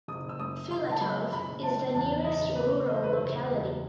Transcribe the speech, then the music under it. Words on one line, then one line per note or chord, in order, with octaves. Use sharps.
Filatov is the nearest rural locality.
F#1 D#6
E6
F#2 D#6
F#1 C6
A5
F#3 B5
F#1 B5
F#1 A5
E2 A5
E5
F#1 D#5
F#1 B4
E2 D#5
C5
B4
C5
F#1
E2